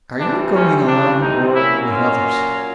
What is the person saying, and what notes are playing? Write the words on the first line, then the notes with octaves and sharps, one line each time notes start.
"Are you going alone or with others?"
A2 E3 G3 C4 D4
C#4
D4
D#4
A#2 F#3 A#3 C#4 E4
F4